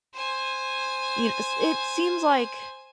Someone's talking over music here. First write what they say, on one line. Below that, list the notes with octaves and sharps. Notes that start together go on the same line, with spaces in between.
y kn s it seems like,
C5 G#5